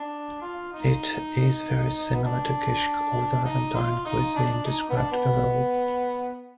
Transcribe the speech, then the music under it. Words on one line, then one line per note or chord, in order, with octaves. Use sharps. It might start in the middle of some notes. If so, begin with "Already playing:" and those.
It is very similar to "kishk" of the Levantine cuisine described below.
Already playing: D4
F4
D#4
B3
D4
D#4
F4
D#4
D4
D#4
B3
D4
B3